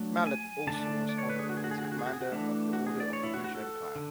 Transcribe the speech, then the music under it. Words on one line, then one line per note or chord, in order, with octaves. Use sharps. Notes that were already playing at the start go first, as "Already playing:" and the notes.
Mallet also was honored as a Commander of the Order of the British Empire.
Already playing: F#3 A3 D4
G#5
D3 A3 D4 A5
D5
C#5
B4
G#4
F#4
G#4
F#4
G#4
F#4
G#4
F#4
G#4
F#4
G#4
F#4
E3 A3 D4
F#4
G#4
D5
C#5
E4
F#4
F#4
A4
D3